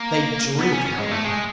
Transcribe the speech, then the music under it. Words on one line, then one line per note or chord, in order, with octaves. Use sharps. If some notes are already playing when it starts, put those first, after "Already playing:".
They drink, however.
Already playing: A#3
B3
C#4
C#4
G#3
A3
G#3